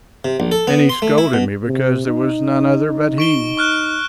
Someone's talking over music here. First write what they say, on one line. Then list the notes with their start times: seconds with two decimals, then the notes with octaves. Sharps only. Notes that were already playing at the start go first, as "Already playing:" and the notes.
And he scolded me because there was none other but he.
0.25 C3
0.40 A#1
0.52 A4
0.67 B3
0.89 C6
1.02 A3
1.18 E4
1.33 B2
1.68 C3
2.08 D#4
3.18 C#6 D7 G7
3.57 C#6 F6 F#6